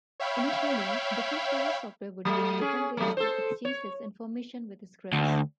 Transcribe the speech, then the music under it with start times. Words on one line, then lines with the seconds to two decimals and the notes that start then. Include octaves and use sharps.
Initially, different server software would use different ways to exchange this information with scripts.
0.20 C#5 E5 F5 G5 B5
2.25 F#3 A3
2.61 C#4 G#4
2.97 F#3 A3
3.17 A4 C5
3.65 C#5
5.12 D2